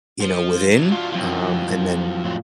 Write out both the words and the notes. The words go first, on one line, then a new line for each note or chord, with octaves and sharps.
you know, within, um, and then
F3
F#3 D4
F4
F2 F#3 E4 F4
A2 F#3 F4